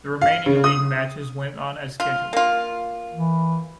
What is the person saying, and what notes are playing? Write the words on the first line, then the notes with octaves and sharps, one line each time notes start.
The remaining league matches went on as scheduled.
F5
C#3
D#6
F4
A#3 F4
E3